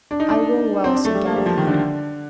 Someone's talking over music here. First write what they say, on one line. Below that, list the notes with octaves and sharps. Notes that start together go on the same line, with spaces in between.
I will well, said Galahad.
D4
D#4
D4
C4
D4
A3
G3
A#3
G3
F3
D#3
D3